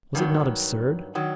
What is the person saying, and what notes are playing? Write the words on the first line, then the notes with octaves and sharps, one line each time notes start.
Was it not absurd?
G2 D#3 F#3
D#3 F#3